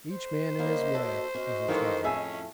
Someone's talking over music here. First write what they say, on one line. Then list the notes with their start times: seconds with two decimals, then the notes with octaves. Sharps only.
Each man in his way is a treasure.
0.12 C5
0.59 D#3 G3 A#3 C#5 D#5 E5
0.94 D#2 F#4 A4
1.35 C#4 F#4 D#5
1.69 D#3 E3 F4 G4 A4 C#5
2.04 F2 A2 A3 C#4 G#4 E5 G#5